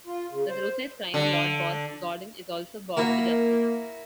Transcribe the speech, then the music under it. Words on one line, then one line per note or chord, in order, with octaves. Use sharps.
The ruthless crime lord Boss Gordon is also brought to justice.
F4
C#3
C5
D3
A#3 E4 F#4 A#4